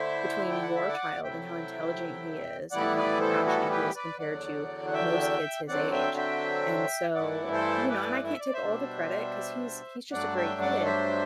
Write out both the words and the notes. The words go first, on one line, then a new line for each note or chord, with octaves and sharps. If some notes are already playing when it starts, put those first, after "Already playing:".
between your child and how intelligent he is and how compassionate he is compared to most kids his age." And so you know, and I can't take all the credit ‘cause he's he's just a great kid.
Already playing: D3 A3 E4 C5 E5
G5
F#5
E5
D5 F#5
C3 F#3 A3 E4 E5 G5
A2 E3 G3 B3 E4 D5 F#5
B4 D5
A4 C5
F#4 A4
G4 B4
B4 D5
E2 D3 F#3 D5 F#5
F#5
E5 G5
D3 F#3 C4 D5 F#5
E5 G5
E5 G5
G2 E3 A3 E4 D5 F#5
A4 C5
B4 D5
E5
D5
C5 E5
B2 G3 D4
G2 F#3 A3 D4 D5 F#5
E5 G5
D5 F#5
C5 E5